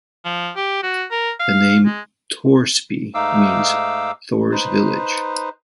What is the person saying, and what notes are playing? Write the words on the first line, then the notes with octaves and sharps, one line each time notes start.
The name "Torsby" means Thor's village.
F3
G4
F#4
A#4
F5
G#3
G#2 A3 D#4 F5 D6 E6
D#4 B4 C5